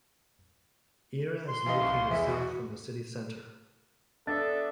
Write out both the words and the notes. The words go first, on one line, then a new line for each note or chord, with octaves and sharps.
Eira is located south from the city centre.
C6
E3 D#4 F5
C2 C#6
E2 E3 G#3 E5
F#4
B3 D4 A4 E5 A6